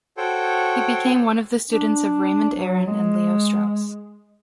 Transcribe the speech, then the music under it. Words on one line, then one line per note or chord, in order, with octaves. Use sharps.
He became one of the students of Raymond Aron and Leo Strauss.
F#4 A4 C5 C#5 G5
D4
F#3
G#3